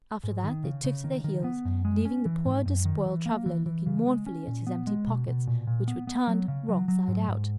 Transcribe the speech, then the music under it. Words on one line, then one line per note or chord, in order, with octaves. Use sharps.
After that they took to their heels, leaving the poor despoiled traveller looking mournfully at his empty pockets, which were turned wrong side out.
G#2
D#3
C#3
C#3
D#3
D#3
B3
F#2
G#3
C#4
E3
G#2
F#2
D#3
E3
A#3
E3
E3
C#3
G#3
C#4
A#2
B3
G#3
B2
B2
A#2
A#2
B3
B3
F#3
C#3
F#3
F#3
G#2
G#2